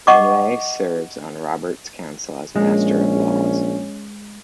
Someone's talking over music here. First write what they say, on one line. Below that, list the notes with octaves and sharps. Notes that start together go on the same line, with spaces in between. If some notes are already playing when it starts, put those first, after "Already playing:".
Renly serves on Robert's council as Master of Laws.
D#5 F#5 C#6 D6
A#1 G#3 C#4